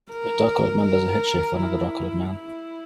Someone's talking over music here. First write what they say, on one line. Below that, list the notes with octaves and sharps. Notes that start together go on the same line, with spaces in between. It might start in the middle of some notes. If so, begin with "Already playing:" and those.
A dark colored man does a head shave for another dark colored man.
A#4
A#4
E4
E4